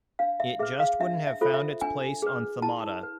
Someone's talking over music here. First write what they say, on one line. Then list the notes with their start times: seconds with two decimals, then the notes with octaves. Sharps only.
It just wouldn't have found its place on Themata.
0.19 D4 F5
0.40 E5
0.59 G#4 B4 E5
0.80 F5
1.00 D4 E5
1.27 E5
1.41 F4 A4 C5
1.54 E5
1.81 D4 G#5
2.22 G#4 B4
2.62 E4 A5
3.03 B4